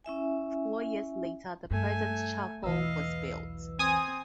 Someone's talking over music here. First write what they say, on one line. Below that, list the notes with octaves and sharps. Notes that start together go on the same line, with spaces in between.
Four years later the present chapel was built.
C#4 E4 E5 G#5
G2 A3 G#5
B1 E2 E3 B4 D#5 F5 E6
C4 G#5 D#6